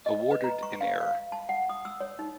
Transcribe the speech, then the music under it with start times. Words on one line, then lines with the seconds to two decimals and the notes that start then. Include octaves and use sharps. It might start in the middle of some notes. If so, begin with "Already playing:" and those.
Awarded in error.
0.06 D#5
0.31 B4
0.44 A#5
0.63 C#6
0.81 F5
1.01 F5
1.32 A5
1.49 F#5
1.69 D#6
1.85 E6
2.00 C#5
2.19 D#4